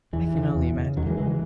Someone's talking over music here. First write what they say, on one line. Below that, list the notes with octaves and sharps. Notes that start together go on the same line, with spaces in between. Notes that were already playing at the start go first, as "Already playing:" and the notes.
I can only imagine.
E2 E3
C#3
E2
C#3
E2 D#3 F#3
E3 G#3
C#3 E3 G#3
E3